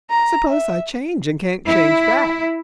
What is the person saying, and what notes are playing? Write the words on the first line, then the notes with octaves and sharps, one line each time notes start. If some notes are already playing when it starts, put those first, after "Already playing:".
"Suppose I change and can't change back?"
A#5
E5
E4